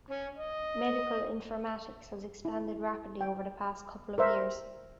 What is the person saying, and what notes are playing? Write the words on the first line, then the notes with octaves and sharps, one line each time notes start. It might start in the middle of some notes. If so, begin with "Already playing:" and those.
Medical informatics has expanded rapidly over the past couple of years.
C#4
D#5
E4
G5
A#4 C5 E5